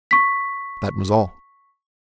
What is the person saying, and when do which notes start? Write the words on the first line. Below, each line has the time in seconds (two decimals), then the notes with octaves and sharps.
That was all.
0.11 C#6 B6